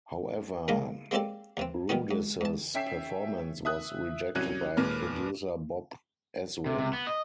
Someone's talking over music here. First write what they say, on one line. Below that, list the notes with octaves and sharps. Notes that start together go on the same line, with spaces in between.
However, Rudess's performance was rejected by producer Bob Ezrin.
G2 A#2 D#3 G3 G#3 A#3
G#3 A#3 C4 G4 A4 D5
D#2 E3 C4
D#3 E3 G3 B3 F#4
G#2
G#2 A5
C#4 E5 G5 B6 C7 E7
E5 D#6 F#6
C2 F#3 C#4 F#6 G#6 D#7
D#2 A#2 G#3 B4 F6
C3
C3
B3
D#5